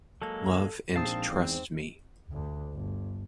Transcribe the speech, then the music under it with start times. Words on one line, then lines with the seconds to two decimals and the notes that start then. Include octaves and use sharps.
Love and trust me.
0.22 F#3 G#3 A#3 A4
0.96 A#1 G#2 C4 F5 A5 D#6 C7
1.31 E2
2.32 D2
2.74 G1